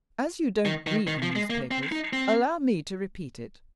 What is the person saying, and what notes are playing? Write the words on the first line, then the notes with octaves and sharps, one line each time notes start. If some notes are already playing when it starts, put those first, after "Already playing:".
As you don't read the newspapers, allow me to repeat it.
D#3
D#3
D#3
F3
G#3
A#3
C4
D#4
C4